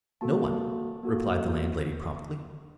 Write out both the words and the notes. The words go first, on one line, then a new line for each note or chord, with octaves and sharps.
"No one," replied the landlady promptly.
A#3 F#4 A4 A5
A#3 F#4 A4